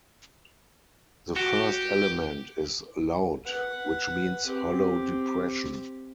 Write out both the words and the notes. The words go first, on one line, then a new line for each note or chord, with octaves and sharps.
The first element is "laut" which means "hollow depression".
F#4 G4
B4 F#5
C4 G4